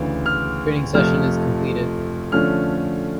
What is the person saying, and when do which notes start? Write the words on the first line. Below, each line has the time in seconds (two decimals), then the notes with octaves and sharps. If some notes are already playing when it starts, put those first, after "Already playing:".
Training session is completed.
Already playing: D2 C#3 E3
0.26 F6
0.94 F2 C3 F3 A3 F6
2.32 D3 F3 A3 C#4 F6